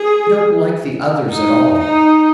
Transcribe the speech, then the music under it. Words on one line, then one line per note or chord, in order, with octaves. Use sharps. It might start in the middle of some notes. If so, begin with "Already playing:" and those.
I don't like the others at all.
Already playing: G#4
D#4
D#4